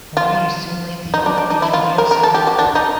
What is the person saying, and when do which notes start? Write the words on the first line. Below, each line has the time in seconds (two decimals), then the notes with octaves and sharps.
However, he soon left the orphanage for the outside world.
0.17 F4
1.14 D#4
1.26 D4
1.38 D4
1.50 D#4
1.62 E4
1.73 F4
1.98 A#4
2.11 A#4
2.23 A4
2.34 G4
2.47 F#4
2.59 D4
2.75 D#4